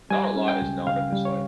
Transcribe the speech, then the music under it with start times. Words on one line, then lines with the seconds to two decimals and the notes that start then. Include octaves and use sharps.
Not a lot is known of his life.
0.10 G3 G#5
0.36 C#4
0.48 G5
0.62 C#2
0.87 C#3 F5
1.12 G3
1.25 C#5